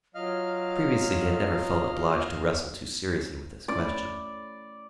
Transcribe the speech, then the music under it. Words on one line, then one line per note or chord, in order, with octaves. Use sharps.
Previously he had never felt obliged to wrestle too seriously with this question.
F#3 F4 D#5 F5 F6
A3 C#4 E4 D5